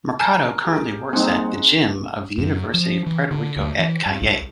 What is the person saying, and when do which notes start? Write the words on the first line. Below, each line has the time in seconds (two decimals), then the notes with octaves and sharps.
Mercado currently works at the gym of the University of Puerto Rico at Cayey.
0.19 A#4 G#5 A5 F6
0.64 G4 G#4 G5
1.13 G3 G#3 A#3 C4 D#4 C#5 F#5
2.38 F#2
2.74 F3
3.07 E3
3.31 D3
3.56 D2
3.79 E3
4.06 G2
4.22 C2